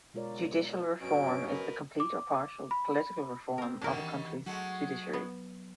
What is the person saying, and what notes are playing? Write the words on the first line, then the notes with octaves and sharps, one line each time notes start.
Judicial reform is the complete or partial political reform of a country's judiciary.
B2 G#3 F4 A#4 C#5 D5
G2 B2 F#3 C#4 D7
A#4 B4
D6
B5
B2 C4 A#4
G1 F#2 A#2 D#3 F#3 G3 D4 A#4
E3
F#3 G#3 A3 F#4
B3